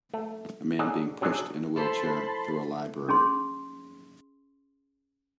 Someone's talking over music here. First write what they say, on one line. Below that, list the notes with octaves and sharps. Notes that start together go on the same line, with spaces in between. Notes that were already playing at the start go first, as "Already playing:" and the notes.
A man being pushed in a wheelchair through a library.
A3
D#4 G#4 A4 C#5 D5 F#5
C3 F#3 D4 D#4 G#4 A4
E4 A4 C5 A5 B5 C6
C#4 G#4 C6